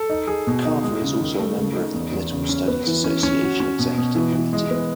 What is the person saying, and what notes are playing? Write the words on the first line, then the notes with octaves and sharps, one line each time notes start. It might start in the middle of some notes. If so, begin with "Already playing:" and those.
Carver is also a member of the Political Studies Association Executive Committee.
Already playing: A4
D#4
G#4
B2
D#4
G#3
C#3
D#3
A3
C#3
D#4
E2
E2
C#3
C#4
B3
E3
C#4
C#4
F#4
C#4
B2
B2
E3
E3
G#3
B3